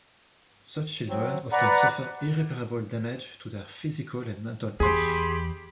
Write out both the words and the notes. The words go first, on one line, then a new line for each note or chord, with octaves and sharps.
Such children often suffer irreparable damage to their physical and mental health.
F#3 C4
B4 D5 F#5 A#5 B5
E2 G4 G#4 B5 C6